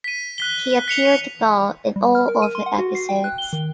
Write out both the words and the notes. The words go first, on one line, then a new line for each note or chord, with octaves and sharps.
He appeared bald in all other episodes.
B6 D#7
F#6 B6 G7
B6 C#7 F7 G7
G3
F6
A#4
D#7
C6
F#5
F#4
C7
G5
F#6
G7
D#3